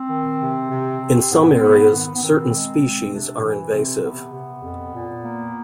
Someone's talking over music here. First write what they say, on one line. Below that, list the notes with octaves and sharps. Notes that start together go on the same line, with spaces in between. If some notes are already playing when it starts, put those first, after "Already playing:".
In some areas, certain species are invasive.
Already playing: C4
D#3
C3
C3
C3
C4
G#2 B3
C4
G#2 B3
D#3 B3
B3
D#3 C4
G#3
G#3
C3 D4
E3
C3 C4
C3 B3
C3
F2
A#2
A#3